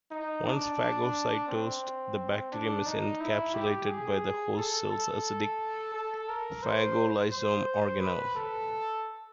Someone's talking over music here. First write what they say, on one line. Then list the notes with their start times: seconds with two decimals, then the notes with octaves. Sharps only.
Once phagocytosed, the bacterium is encapsulated by the host cell's acidic phagolysosome organelle.
0.11 D#4
0.47 D4
1.48 C4
2.52 D4
2.86 D#4
3.21 E4
3.54 G4
3.88 G#4
4.57 A4
4.92 A4
5.94 A4
6.29 A#4
6.63 C5
7.32 C5
8.00 B4
8.35 A4